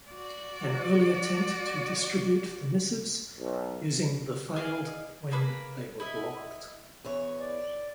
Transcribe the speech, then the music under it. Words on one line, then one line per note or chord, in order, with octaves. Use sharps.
An early attempt to distribute the missives using the failed when they were blocked.
F#4 D5
B1
G#4 D5 D#5 F5
A#3 G#4 B4 D6
E4 D#5
E2 E3 C#5
D5